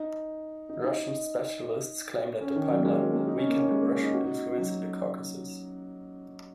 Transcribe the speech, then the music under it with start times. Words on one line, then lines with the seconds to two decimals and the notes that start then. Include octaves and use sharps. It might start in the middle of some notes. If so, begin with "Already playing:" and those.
Russian specialists claim that the pipeline will weaken the Russian influence in the Caucasus.
Already playing: D#4
0.69 D#4
0.84 D#4
0.97 D#4
2.41 C#4
2.56 D#3
2.69 F#3
2.79 A#3
2.85 G#3
2.99 F#3
3.13 A#3
3.28 D#4
3.38 C#4
3.49 A#3
3.59 C#4
3.71 G#3
3.81 A#3
3.92 C#4
4.03 D#4
4.14 F#4
4.24 D#4
4.57 F#3